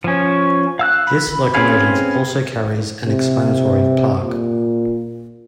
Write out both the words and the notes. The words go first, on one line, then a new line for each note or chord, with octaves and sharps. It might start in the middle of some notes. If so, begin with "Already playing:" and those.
This locomotive also carries an explanatory plaque.
F3 C#4
F5 E6 F#6
B5
C4 C#4 G#4 B4 F5
C3
A#2